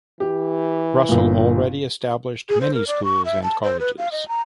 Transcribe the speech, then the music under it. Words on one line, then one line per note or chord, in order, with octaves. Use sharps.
Russel already established many schools and colleges.
E3 G4
G1 A#2
G#4
C5
A#4
D5
C#6
E5
A5
C5
B4
F5
D#5
A#5